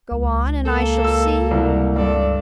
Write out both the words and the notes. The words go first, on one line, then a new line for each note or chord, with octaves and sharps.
Go on, and I shall see?
C#2
A#3 A4
E6
C2
G2 A4 D5